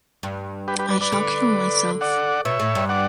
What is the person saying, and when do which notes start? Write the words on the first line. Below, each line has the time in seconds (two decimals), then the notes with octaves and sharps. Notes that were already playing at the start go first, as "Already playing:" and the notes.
I shall kill myself.
0.23 G2
0.68 G4 B4
0.79 G4 B4
0.90 B4 D5
1.01 B4 D5
1.12 D3
2.01 D5 F#5
2.45 B2 C#5 E5
2.60 A2
2.75 G2
2.89 D5 F#5